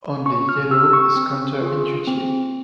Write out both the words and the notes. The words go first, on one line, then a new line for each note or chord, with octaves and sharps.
Only yellow is counter-intuitive.
C#4 C#6
F6
G4 E6
C#6
C4
F4 G#4
C4